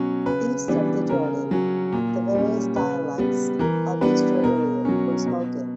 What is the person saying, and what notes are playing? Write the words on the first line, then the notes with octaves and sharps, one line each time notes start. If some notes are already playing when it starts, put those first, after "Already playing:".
East of the Jordan, the various dialects of East Jordanian were spoken.
Already playing: B2 F#3 C#4
C#3 B4
E3 G3 B3 D4
C#3 A#4
F#3 C#4
A#2
G3 C#4
C#3 B4
G3 B3
E3 A#4
G3 B3 D4 B4
B2 A#4
F#3 C#4
B2